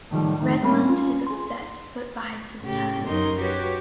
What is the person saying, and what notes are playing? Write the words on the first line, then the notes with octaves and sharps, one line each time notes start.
Redmond is upset, but bides his time.
A2 D#3 F3 G3
F2 A2 D#3
A2 G3 A#3 C#4 B5
C#4 F4
G#4 C6
A2 C#3 G4
F#2 F#3 D#4 A#4 C6
F#4 G4 B4 C#5